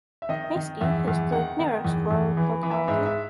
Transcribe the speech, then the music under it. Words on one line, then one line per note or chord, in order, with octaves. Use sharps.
Maysky is the nearest rural locality.
E5
D#3 D#5
D#3
E2 E5
E2
D#3 F#5
D#3
E2
E2
E3
E3
E5
G#2 E5
E5